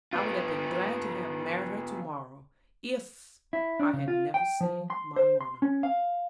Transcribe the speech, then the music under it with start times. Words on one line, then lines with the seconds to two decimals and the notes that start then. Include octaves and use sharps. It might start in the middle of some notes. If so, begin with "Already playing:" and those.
I would have been glad to have married her to-morrow, if I had never seen my Lorna.'
0.13 B3 F4
3.53 E4
3.80 D4
3.93 C#3
4.08 F4
4.34 G5
4.61 F3
4.90 C6
5.16 C5
5.41 C6
5.62 C#4
5.83 F5